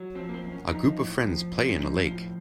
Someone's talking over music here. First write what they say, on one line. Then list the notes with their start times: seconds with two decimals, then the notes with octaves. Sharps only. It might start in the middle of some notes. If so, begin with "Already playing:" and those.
A group of friends play in a lake.
Already playing: F#3
0.15 F3 C4
0.29 A#3
0.34 C4
0.42 F#2
0.52 C#4
0.69 F3 D#4
0.97 A2
1.24 F3
1.51 A#2
1.69 C#4
1.78 F3 D#4
2.06 A2 F4